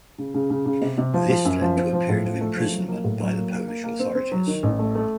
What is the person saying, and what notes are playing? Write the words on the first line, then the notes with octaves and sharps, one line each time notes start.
This led to a period of imprisonment by the Polish authorities.
C#3
C#3
C#3
C#3
C3
C3
F3
F3
F#2
F3
C4
F3
A2
F3
A3
F3
F#3
A#3
A2
F#3
A#3
A#3
A#3
A#3
C4
C4
F#3
D#3
A1
A3
A3